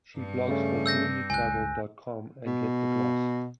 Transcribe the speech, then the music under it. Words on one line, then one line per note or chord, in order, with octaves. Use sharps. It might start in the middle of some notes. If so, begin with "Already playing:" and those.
She blogs for doyoutravel dot com and Get the Gloss.
G2 G3
C#3 A3 C#4
E6 G6 A#6
C#2 G#5 F#6
B2